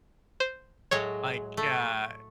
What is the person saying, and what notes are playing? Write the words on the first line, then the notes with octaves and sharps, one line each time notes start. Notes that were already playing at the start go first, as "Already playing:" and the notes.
like, uh,
C5
A2 F#3 G#3 C#5
A3